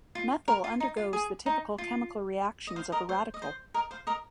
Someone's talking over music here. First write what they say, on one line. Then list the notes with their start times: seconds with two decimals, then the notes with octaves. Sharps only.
Methyl undergoes the typical chemical reactions of a radical.
0.15 F4
0.48 A#4
0.64 F4
0.80 D#4
0.97 F4
1.13 G#4
1.46 D#4
1.78 F4
2.67 D#5
2.76 C5 F5
2.92 A#4 D#5
3.09 C5
3.34 D#5
3.42 C5
3.74 A#4 D#5
3.91 C5 F5
4.07 A#4 D#5